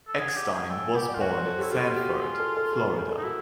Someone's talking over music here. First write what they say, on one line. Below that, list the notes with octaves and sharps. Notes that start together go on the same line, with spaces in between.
Eckstein was born in Sanford, Florida.
A4
G#4 F#5
G4
F#5
G#4
A4 G5
G#5
G4 F#5
D5
F4
F#4 C#5
C5
A4
E4 G4
F4 F#4
G4
G#4
A4
A4
G#4
A4
A#4
A4
D#4
E4 F#4